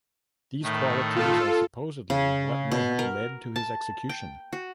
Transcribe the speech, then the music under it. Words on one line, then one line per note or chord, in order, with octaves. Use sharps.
These qualities are supposedly what may have led to his execution.
A2 D#3 A3
F4 A4
C#3
B2
A#4
A5
G5
F#4